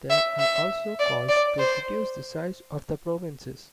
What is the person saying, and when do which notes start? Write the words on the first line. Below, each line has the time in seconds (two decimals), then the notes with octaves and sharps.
There are also calls to reduce the size of the provinces.
0.10 E5
0.40 E5
0.99 D5
1.29 D5
1.59 C5